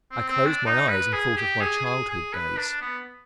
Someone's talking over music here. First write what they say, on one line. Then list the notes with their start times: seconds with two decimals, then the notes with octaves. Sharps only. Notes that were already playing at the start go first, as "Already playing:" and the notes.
I closed my eyes and thought of my childhood days.
0.11 C4
0.29 C4
0.47 D4
0.66 D#4
0.89 B4
1.13 G#4
1.37 G4
1.61 G#4
1.85 G#4
2.10 G#4
2.33 B4
2.58 D4
2.81 B3